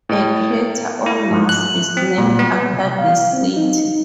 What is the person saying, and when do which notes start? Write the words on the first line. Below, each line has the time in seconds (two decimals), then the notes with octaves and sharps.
A crater on Mars is named after this city.
0.09 A2
1.06 E4
1.31 G#2
1.49 F#6
1.97 C4
2.18 A#2
2.39 B3
2.73 C3
2.98 F5
3.33 C4
3.57 D#4